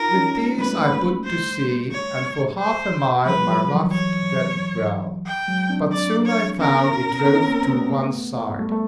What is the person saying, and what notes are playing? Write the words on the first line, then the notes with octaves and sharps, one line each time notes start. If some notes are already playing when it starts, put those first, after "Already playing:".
With these I put to sea, and for half a mile my raft went well; but soon I found it drove to one side.
Already playing: D#4 F4 A#4
C#4 D#4
G#3 A#3
G3 A3 B4
C5
C#5
C5
F3 G3 B4
F3 G3
E3 F#3
C#5
G5
F#3 G#3
C4 D4
D5
C#5
B3 C#4 A#4
C4
B3 C#4
A#3 C4
C4
A3 B3
G3 A3
A3